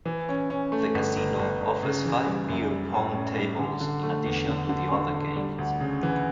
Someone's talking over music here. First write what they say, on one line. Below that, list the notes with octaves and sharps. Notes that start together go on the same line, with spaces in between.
The casino offers five beer pong tables in addition to the other games.
E3
C#4
C#4
A3
G1
G1
G1
G1
C#3
E3
G3
F#2
G3
A2
C#4
G3
D3
D3
A3
E2
D3
D3
D3
D3
G3
D2
C#3
E3